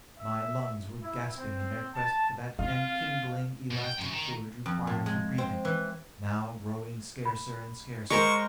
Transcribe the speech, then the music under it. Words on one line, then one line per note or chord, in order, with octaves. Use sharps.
My lungs were gasping in their quest for that enkindling elastic fluid required for breathing, now growing scarcer and scarcer.
E5
E4
C4
A5
C4 F4 F5
B2
G5
F#2
D#3
F2
A2
G#3
C4
E3
B5
G#3 A#4 C5 C#6